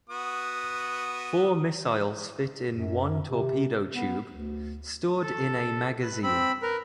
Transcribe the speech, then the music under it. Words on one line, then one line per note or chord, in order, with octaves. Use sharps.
Four missiles fit in one torpedo tube, stored in a magazine.
B3 F#4 D#6
F#2
C3
B3
D2
A4
B4
C4 B5 E6
A#4 B4